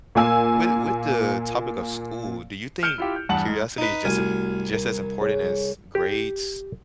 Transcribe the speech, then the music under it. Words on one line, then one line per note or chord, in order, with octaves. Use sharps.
with with the topic of school, do you think curiosity is just a just as important as grades,
A#2 A#3 G#5 E6
F6 G6 C#7 D7 E7 G7
E4 F4 G4
G6
E2 G2 F#5 A5 F#7
G#2
D#4 B4
C2 A3 F#4 G#5 F6
A#4
G#4 C#5
G4